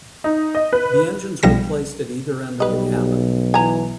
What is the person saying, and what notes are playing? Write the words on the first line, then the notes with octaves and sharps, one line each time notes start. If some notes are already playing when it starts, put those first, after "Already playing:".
The engines were placed at either end of the cabin.
D#4
D#5
B4
B1 F3 G3 A#6
B1 G3 B4 D#5
E3 G#5 A#5